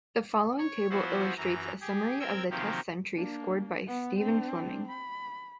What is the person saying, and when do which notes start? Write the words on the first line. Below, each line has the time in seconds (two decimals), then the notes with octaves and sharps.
The following table illustrates a summary of the Test centuries scored by Stephen Fleming.
0.59 C#5
0.90 F3 B3 E4 F#4 C5
1.37 F#2 E3 A#5
1.81 G4 G#4
2.20 C4 A#4 G5 E6 G#6
2.50 C3 D#3 F3 F#3 A#3 G4
3.15 A#3 D4
3.87 B3
4.18 C4 D4
4.87 B5